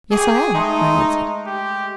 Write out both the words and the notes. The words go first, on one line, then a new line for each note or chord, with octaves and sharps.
"Yes; I am," I answered.
G4 G#4 C#6 D6
G#3 A3 D#4
G4